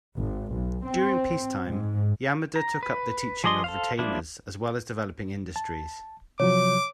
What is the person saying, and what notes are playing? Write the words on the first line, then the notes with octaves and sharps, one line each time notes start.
During peacetime, Yamada took up the teaching of retainers as well as developing industries.
G#1
B1
C4
G#2
A#5
B4
F3 G#4 D5 D#5 C6
A4 C5 F5
F3 G3 A#3 D4 E4
A5
C3 F3 F#3 C#5 D6